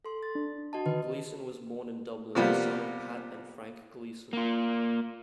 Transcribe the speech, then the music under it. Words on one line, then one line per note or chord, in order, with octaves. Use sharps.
Gleeson was born in Dublin, the son of Pat and Frank Gleeson.
A4 C6
A6
D4
F#4 D#5 A5
D3 D#3 B4 D#5
C3 F3 G3 A#3 B3 F4
A#3 F4